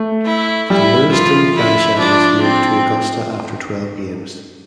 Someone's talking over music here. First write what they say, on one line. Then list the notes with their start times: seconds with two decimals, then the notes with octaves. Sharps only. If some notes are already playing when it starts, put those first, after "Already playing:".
The Lewiston franchise moved to Augusta after twelve games.
Already playing: A3
0.26 E4
0.70 G3 E4
1.12 F3 F4
1.56 E4
1.99 F3 D4
2.42 C4